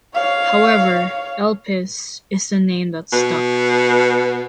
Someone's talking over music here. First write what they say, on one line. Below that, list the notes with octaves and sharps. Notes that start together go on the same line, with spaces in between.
However, Elpis is the name that stuck.
C#5 F5
B2